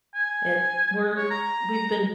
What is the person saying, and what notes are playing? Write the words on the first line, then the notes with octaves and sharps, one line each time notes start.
it we're we've been f
G#5
C#5
A#5